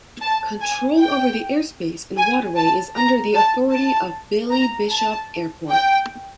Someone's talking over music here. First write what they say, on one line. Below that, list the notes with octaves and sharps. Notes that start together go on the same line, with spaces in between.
Control over the airspace and waterway is under the authority of Billy Bishop Airport.
A5
G#5
G5
G#5
A5
A#5
A5
A5
A#5
A5
G5